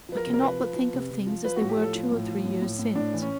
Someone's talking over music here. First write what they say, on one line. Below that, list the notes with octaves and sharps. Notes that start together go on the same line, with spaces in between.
I cannot but think of things as they were two or three years since.
F3 B4
A#4
C3
A#4
F3 B4
F3
F3
C3
C3
F3
F3 B4
F#4
A2
G4
F3 A4
F3
A2
F3
A2
A2
A2
A2 D4
E3
C#4